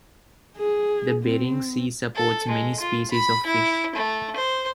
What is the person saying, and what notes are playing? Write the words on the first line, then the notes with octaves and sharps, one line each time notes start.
The Bering Sea supports many species of fish.
G#4
C4
A4
G#3
F4
B5
E4
A3
C5